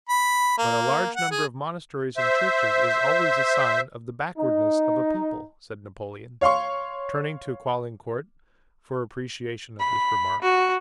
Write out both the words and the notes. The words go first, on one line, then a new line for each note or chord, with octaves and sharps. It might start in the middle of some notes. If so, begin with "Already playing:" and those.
"But a large number of monasteries and churches is always a sign of the backwardness of a people," said Napoleon, turning to Caulaincourt for appreciation of this remark.
B5
A#3
F#5
G#4
C5 E5
D#4
C#5 F5 C6 C#6
B5
F#4